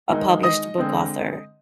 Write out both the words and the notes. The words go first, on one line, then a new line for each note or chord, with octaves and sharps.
a published book author.
D#3 G#3 D#4
D#5 D#6
D3 G#3 C4